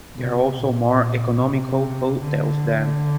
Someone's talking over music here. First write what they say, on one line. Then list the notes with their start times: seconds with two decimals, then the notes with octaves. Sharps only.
There are also more economical hotels there.
0.19 C3
0.59 A#2
1.41 C3
2.23 D3